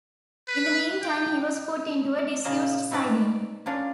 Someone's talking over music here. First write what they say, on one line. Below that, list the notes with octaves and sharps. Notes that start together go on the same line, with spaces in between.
In the meantime, he was put into a disused siding.
B4
G5
A#2 C#3 A#3 C#4 F4 D#5
B3 C4 D#4 B4 D5
A#3 C#4 D4 F4